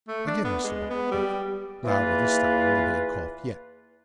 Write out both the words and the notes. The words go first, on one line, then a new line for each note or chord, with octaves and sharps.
Again Mr. Bumble coughed--louder this time than he had coughed yet.
A3
D4
B3
G#3
B3
G3
E2 E3 A#3 F4 B4